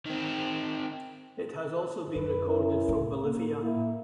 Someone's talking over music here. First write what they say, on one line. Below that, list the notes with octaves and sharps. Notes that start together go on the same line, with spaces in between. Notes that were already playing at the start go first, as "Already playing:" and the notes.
It has also been recorded from Bolivia.
D#3 C4
F#2 B4
C#4 E4 A#4
A2
A#3
A#3 E4